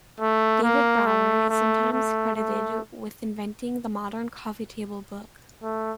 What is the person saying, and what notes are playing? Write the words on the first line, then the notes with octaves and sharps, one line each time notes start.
David Brower is sometimes credited with inventing the "modern coffee table book".
A3
A#3
A3
A3
A3
A3
A3